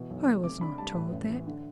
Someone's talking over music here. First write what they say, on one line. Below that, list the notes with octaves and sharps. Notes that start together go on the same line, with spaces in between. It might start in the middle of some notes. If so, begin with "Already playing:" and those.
"I was not told that."
Already playing: B2 E3
B1
A3
C3 D6
D4 B5
G3 A5
A2 B4
A1
E3
D3